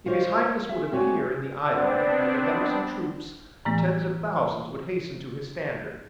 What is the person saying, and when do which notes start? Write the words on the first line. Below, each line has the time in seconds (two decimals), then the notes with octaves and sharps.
If his Highness would appear in the island at the head of some troops, tens of thousands would hasten to his standard.
0.06 F4 C5 C#5 D#5 F5
0.69 G#4 E5
0.92 C4 F#4 C#5 D5 G#5
1.69 B3 C4 D4
3.65 A2 E3 A3 B3